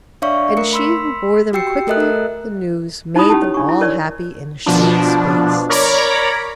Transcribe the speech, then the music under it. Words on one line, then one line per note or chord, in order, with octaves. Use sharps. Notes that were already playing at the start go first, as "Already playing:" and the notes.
And she who bore them quickly the news made them all happy in a short space.
D4 C#5 D5 E5 F5 C#6
A3 A#4 C#7
B5 C6 E6 B6
F#4 G4 G5 E6 C7 C#7
A3 A4 A#4 D#5 E5 F#6
A#4
D#4 E4 G4 C5 B5 D#6
C#4 G4 A5
C#5
D4 C#6
E4
A#4 C#5 D5
B2 F3 D4
A#4 C#5 D5 A#5 B5 D6